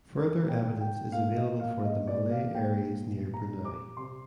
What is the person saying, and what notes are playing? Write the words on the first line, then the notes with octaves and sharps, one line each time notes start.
Further evidence is available for the Malay areas near Brunei.
D#3 A#4
G5
D#3
G5
A#3 F5
D#5
A#3 F5
D#5
A#2 D5
F5
A#3 G5
A#2
A#5
G3
D6
C3 C6